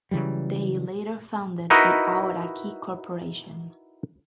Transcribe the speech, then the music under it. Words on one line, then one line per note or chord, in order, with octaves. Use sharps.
They later founded the Aoraki Corporation.
C#3 E3 F#3 G3
D#4 E4 F#4 A#4 B4 D#5